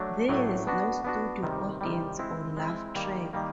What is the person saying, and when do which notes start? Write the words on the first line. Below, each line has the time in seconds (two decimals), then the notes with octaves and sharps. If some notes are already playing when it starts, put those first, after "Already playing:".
There is no studio audience or laugh track.
Already playing: F#3 A3 D4
0.29 A2 F#3 A3 D4
0.67 B3 D4 F#4
1.04 B3 D4 F#4
1.43 C3 D#3 G3
1.81 C3 D#3 G3
2.19 G#3 C4 E4
2.57 G#3 C4 E4
2.95 D#3 G3 A#3
3.33 D#3 G3 A#3